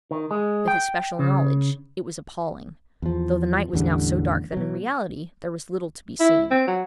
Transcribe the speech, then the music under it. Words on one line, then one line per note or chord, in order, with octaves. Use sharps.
With his special knowledge, it was appalling--though the night was now so dark that in reality there was little to be seen.
D#3
G#3
G5
C#3
E2 F3
A1 E2 D3 G3
B2 F#3
E4
C4
F#3